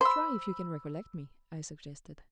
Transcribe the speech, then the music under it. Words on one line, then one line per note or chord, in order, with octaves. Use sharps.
"Try if you can recollect me," I suggested.
C5 B5 E6